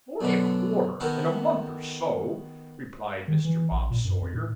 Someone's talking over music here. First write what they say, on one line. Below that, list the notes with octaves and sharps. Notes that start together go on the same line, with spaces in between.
'Only a quarter, and a month or so,' replied Mr. Bob Sawyer.
F#2 B2 D3 D4
D#3 B3 F#4 G4 A4 A#4
D#3
E3
A#1
A#2
F#2
F2
A2